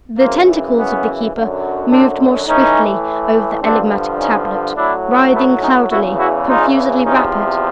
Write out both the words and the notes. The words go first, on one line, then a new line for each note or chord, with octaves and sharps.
The tentacles of the Keeper moved more swiftly over the enigmatic tablet; writhing cloudily; confusedly rapid.
F#2 C#3 E3 A#3 C4
B3 C#4
F#2 D3 F#3
C4 D4
A2 E3 C#4 D#4
G2 D3 F3 C4 D4
C#4 D#4
A2 F#3 D4 E4
A3 B3
C#4 D#4
E2 C#3 E3 E4 F#4
E4 F#4
D#4 F4
E2 C3 F3 C#4 D#4